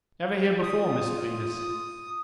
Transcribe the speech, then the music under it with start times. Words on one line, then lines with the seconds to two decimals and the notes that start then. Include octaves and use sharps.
Ever here before, Mr Venus?'
0.63 F4 D#6